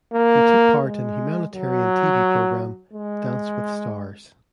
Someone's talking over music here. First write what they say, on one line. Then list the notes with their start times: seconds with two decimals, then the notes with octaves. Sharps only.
He took part in humanitarian TV programme "Dance with stars".
0.14 A#3
0.83 G#3
1.53 F#3
2.93 G#3